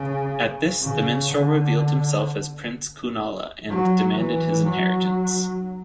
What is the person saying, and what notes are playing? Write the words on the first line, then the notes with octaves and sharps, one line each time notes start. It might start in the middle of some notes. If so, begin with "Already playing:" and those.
At this, the minstrel revealed himself as prince Kunala and demanded his inheritance.
Already playing: C#3
C#3
D3
F#3
E3
F#3